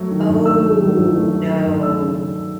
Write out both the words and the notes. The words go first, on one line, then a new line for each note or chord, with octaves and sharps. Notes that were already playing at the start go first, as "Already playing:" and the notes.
Oh, no.
Already playing: F#3 A3
D#3
G2
A3 E6
F#3
D#3
G2
A3
F#3
D#3
G2
A3 E6